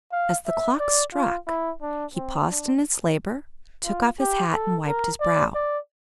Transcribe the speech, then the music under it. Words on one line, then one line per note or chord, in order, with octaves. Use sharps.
As the clock struck, he paused in his labor, took off his hat, and wiped his brow.
F5
E5
D5
F4
E4
D4
C4
D4
F4
G4
A4
A#4
D5
D5